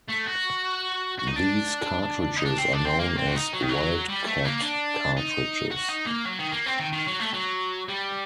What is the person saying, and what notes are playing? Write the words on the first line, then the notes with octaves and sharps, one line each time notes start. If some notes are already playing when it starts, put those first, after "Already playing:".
These cartridges are known as wildcat cartridges.
A3
F#4
F#4
D#4
D4
D#4
D4
C4
D4
C4
A#3
C4
F#4
D#4
F#3
D#3
F#3
G3
A3
A#3
D4
D#4
F#4
D#4
A#3
F#3
D#3
A#3
C4
D#3
D#3
F#3
A3
F#3
G3